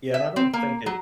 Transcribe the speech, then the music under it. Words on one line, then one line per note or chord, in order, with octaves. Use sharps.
Yeah, and I don't think it
E5
C4
A#3
F#3